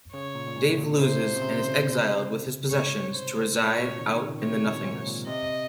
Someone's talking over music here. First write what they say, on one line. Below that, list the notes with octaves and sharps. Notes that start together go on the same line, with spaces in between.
Dave loses, and is exiled with his possessions to reside out in the nothingness.
C#3 C#5
A#2
A#2
G#2
C3
A#2
C3 C5
C3
C#3
C3
D#3
C#3
C3
C#3
C3
G#2 C#5
C5
A#2 C#5
A#2
C3
D#3
D#3
C#3
C3 C#5
A#2
G#2
G#2
A#2
C3 D#5